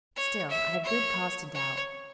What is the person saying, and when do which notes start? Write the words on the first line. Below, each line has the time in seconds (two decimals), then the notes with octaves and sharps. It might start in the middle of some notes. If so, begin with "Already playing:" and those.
Still, I have good cause to doubt.
0.16 C#5
0.50 E5
0.85 C#5
1.54 C#5